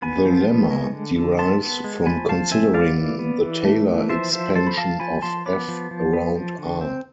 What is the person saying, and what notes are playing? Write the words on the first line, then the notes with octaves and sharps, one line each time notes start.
The lemma derives from considering the Taylor expansion of "f" around "r".
B3 G#5 B5
F3
B3
G#3
D3
D3
B3 A5 C6
B3
G#3
F3 G#5 B5
F3 F5 A5
C4 E5 G#5
B3 D5 F5
E3
B3
E3
A3
E3
F3 C5 E5
F3 C5 E5
F3 A4 C5
B5
F3 F5 A5
F3 G#5 B5
F3 A5 C6
B3 B5 D6
F3
F3
B3
F3
D3
C4